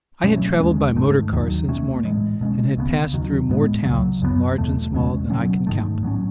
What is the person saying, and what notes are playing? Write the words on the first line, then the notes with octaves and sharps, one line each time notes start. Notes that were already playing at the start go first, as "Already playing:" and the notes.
I had travelled by motor car since morning, and had passed through more towns, large and small, than I can count.
B2 F#3 A3 C#4
D#2 D#3 G#3 C#4
G#2 D#3 A3
D#2 D#3 F#3
B2 A3 C#4
A2 E3 G#3
B2 G#3 C#4
C#2 C#3 G#3 B3
D#2 D#3 F#3
A2 G#3 B3
C#2 C#3 F#3
F#2 E3 B3
E2 B2 A3
E2 C#3 G#3 C#4
B2 F#3 C#4
G#2 D#3 A3
A2 F#3 A3 C#4